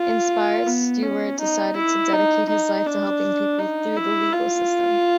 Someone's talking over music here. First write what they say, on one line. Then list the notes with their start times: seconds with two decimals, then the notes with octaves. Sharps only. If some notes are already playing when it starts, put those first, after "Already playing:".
Inspired, Stewart decided to dedicate his life to helping people through the legal system.
Already playing: F4
0.67 B3
1.03 C#4
1.40 D#4
1.76 E4
2.13 D#4
2.49 D#4
2.86 D4
3.59 D#4
3.96 E4
4.32 F4